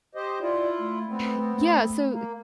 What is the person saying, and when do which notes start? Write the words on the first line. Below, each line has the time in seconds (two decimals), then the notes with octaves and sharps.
eh, yeah, so
0.15 G4 C5 D#5
0.41 E4 F4 D5
0.79 A3
1.09 A3 B3 C4
2.11 A#3